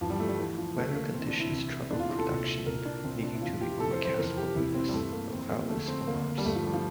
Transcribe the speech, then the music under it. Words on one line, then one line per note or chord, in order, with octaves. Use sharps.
Weather conditions troubled production, needing to be overcast for Venus, but cloudless for Mars.
G2 E3 F3
G3
A3
G3
D2 D3 E3
F3
D2 D3 A3
A#3
D2 C3 E3 C4
D4
E4
C2 C3 E3
E2 C3 E3 D4
F4
F4
A4
C2 A#2
C2 A#2 A#4
D4
C2 A#2 C4
D4
E4
F2 C3 E3 F4
G4
F2 C3 E3 A4
C5
C5
F2 C3 E3 A#4
G4
C2 C3 E3 E4
C4
G3
G2 E3 A3
A#3
F2 C3 E3 C4
A#3
F2 D3 A3
C4
D2 D3 A#3
G3
G2 D3 A3
F3
G3
F3